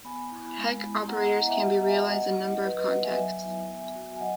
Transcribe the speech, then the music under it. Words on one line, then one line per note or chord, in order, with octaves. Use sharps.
Hecke operators can be realized in a number of contexts.
B3 G#5 B5
E4
G#3
B3 E4
B3 F#5 A#5
D#5 F#5
E4 F#5 A#5
E5 G#5
B3 D#5 F#5
F#5 A#5
F#4 E5 G#5
D#5 F#5
A#3
C#4 E4
F#3 B4 D#5
B4 D#5
B3 D#4 F#4 D#5 F#5
E5 G#5
F#3
B3 E4
B3
F#4
G#5
F#3 D#5 F#5